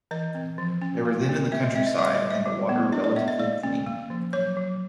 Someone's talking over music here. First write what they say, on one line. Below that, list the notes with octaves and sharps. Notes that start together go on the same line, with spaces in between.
They were then in the countryside, and the water relatively clean.
E3 D#5
C4
F3
C#4
A#3
C#4
C4 E5
D#5
C4 E5
D#5
G3 E5
D#5
G3
E5
G3
B3
D4 D#5
D5
B3 E5
D#5
A#3 D5
C#4
A#3
F3
F#3 C#5
F#3